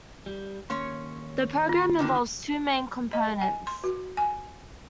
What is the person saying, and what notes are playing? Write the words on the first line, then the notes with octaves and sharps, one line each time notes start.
The program involves two main components.
G3
D#2 A#3 C#4 C#5 C6
F4
D3 D#3 D4
D#5
G#5
C6
F#4
G#5